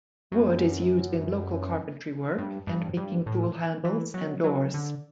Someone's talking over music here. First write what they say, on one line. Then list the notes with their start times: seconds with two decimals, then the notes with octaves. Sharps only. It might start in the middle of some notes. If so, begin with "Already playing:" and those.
Wood is used in local carpentry work and making tool handles and doors.
0.32 F#2
2.38 G2
2.67 G2
2.97 G2
3.26 A2
3.85 E3
4.14 F#3
4.44 F#3
4.74 D3